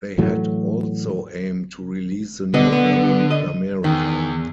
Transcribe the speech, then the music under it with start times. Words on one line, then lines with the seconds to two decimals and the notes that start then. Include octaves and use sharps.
They had also aimed to release the new album in America.
0.18 A2 E3 F#3 A3
2.54 B1 D3 B3 D#5
2.73 B3
3.31 D#5
3.84 E2 D#3